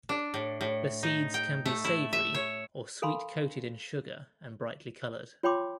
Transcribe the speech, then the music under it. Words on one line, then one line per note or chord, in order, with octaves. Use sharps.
The seeds can be savory or sweet-coated in sugar and brightly colored.
D4
A2
A2
D#4
G5
A3
E4
E5
C#5
A4 A#4 F5 G#5 B5 C6
F4 C#5 G5 B5 C6 D6